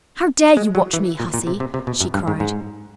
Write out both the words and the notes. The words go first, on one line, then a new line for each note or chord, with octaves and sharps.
"How dare you watch me, hussy?" she cried.
G#3
F#3
E3
A#2
A#2
C3
C3
C3
B2
F#2
G2
G#2
G#2